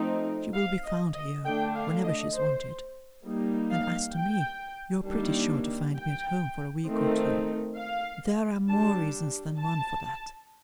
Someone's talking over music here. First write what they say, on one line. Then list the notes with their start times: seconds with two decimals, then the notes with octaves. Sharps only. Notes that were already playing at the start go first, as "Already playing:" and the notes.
She will be found here, whenever she's wanted; and as to me, you're pretty sure to find me at home, for a week or two. There are more reasons than one for that.
Already playing: F3 A3 C4 D#4
0.54 F5
0.84 D#5
1.15 D#5
1.45 D3 A3 D4 G5
1.75 F5
2.05 D#5
2.35 C5
3.25 G3 A#3 D#4
3.70 F5
4.16 G5
5.06 D#3 G3 A#3 D4
5.96 G5
6.87 D#3 A3 C4 D#4
7.77 F5
8.67 G3 D4 A5
9.58 A5